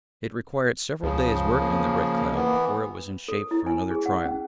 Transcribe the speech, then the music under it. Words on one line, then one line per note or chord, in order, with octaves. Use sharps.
It required several days' work on the Red Cloud before it was in shape for another trial.
C#2 C#3 F3
A#3
E3 B3
A4
E4
G#5
G#4
F#5
C#4